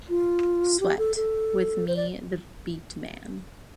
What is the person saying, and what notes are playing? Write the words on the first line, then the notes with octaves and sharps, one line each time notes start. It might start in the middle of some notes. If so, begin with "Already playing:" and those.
Sweat - with me the beat man.
F4
G4
A4
A4
C5
D5